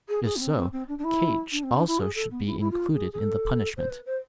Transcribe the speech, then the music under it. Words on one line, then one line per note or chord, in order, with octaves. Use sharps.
If so, Kate also should be included in the punishment.
G#4
G#4
B3
C4
C4
C4
D4
D4
E4
D4
C4
D4
E4
G#4
A4
B3
E4
E4
F4
G#4
G#4
A4
C5
B4
C5